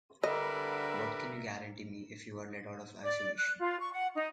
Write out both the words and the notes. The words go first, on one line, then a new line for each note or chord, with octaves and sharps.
What can you guarantee me if you are let out of isolation?
D3 G3 A#4 B4 D#5 E5
D5
F#6
F4
C#6
F#5
D#4